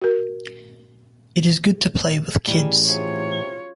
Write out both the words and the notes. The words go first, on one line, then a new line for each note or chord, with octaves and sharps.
It is good to play with kids.
F#4 A#4
A2 E3 G3 C#4 D#4 G#4
C3 F#3 F4 G#4 C#5 E5